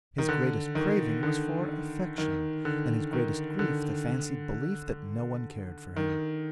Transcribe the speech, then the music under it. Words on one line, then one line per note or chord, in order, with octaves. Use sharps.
His greatest craving was for affection, and his greatest grief the fancied belief that no one cared for him.
D#3
D3
D#3
D3
D#3
D3
D#3
D3
D#3